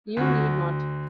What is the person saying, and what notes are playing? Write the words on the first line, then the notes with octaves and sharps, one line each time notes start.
You need not.
D2 F#4